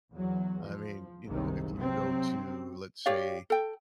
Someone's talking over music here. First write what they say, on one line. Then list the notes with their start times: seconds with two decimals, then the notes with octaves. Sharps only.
I mean, you know, if you go to, let's say,
0.12 E2 F#3
0.63 F3
1.26 F#1 C2 C3 D#3
1.75 C3 F#3 C4
3.06 G4 C#5 D5 F5
3.50 A4 G5